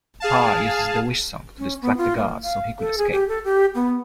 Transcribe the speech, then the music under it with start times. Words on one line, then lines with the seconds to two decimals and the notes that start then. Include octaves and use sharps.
Par uses the Wishsong to distract the guards so he could escape.
0.20 G#4 F5 A5
1.59 C#4
1.82 B3
1.97 F4
2.17 A#3
2.44 F5
2.80 A4
2.98 G#4
3.12 G4
3.28 A4
3.45 G4
3.75 B3